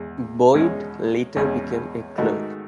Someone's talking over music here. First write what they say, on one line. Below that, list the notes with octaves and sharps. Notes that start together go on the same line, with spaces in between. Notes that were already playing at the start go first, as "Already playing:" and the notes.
Boyd later became a clerk.
Already playing: E2 G#3
E2 B2 G#3 C#4
E2 B2 G#3 C#4
G#2 D#3 A3 D#4 F#4